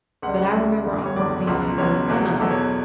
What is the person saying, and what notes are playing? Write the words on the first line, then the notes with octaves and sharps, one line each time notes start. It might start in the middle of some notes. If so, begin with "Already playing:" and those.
but I remember almost being made fun of
C#2 C#3 G3 F#5
F#5
C#2 C#3 G3 E5
F#1 E2 D3 G3
C#5
F#1 E2 D3 G3 D5
C#2 B2 F#3
C#2 B2 F#3 C#5
E2 B2 F#3
E2 B2 F#3 A4
C#5